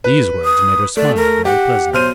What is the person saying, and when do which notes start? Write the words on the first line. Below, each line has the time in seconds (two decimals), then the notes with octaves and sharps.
These words made her smile very pleasantly.
0.04 B4
0.45 D#6
0.97 A3 D5
1.16 A#4
1.45 G4 F#5
1.93 B1 C5 F6 D#7